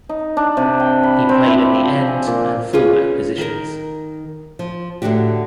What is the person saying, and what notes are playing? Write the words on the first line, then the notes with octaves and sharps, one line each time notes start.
He played at the end and fullback positions.
D#4
D4
C3
G5
B5
C4
E4
F3
G#5
A#2
C#4 F4 G#4 B4
D#3 A#4
F3
A2 D3 D4 F#4 G4